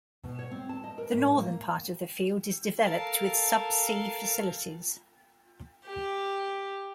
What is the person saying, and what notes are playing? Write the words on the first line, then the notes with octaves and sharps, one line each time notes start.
The northern part of the field is developed with subsea facilities.
B2
C#5
C4
A5
D#5
A#4
A2
A#3
A4 A#4 F5 A5
G4